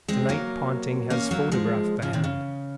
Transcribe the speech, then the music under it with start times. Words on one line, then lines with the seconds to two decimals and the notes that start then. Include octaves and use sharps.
To-night Ponting has photographed the hand.
0.08 G#3 C4
0.29 F#3 A#3
1.10 A#3 C#4
1.31 F#3 A#3
1.52 F3 G#3
2.02 C#3 F3
2.13 C3 D#3
2.24 C#3